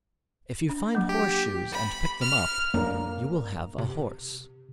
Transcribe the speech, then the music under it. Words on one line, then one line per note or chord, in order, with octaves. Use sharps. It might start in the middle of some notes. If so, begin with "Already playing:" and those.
If you find horseshoes and pick them up, you will have a horse.
D4
F#3 A#3
G4
B5
F6
F#2 A#3 D4 A#4
C3